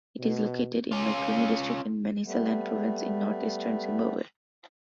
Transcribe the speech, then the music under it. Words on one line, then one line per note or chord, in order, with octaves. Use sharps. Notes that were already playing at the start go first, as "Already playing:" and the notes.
It is located in Makoni District in Manicaland Province, in northeastern Zimbabwe.
B2
C#4 F4
G3 A3 B3